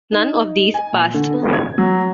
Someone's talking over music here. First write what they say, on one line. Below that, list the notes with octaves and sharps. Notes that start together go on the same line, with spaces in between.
None of these passed.
D#4
G#5
A#2
D3
B3
G#6
F#3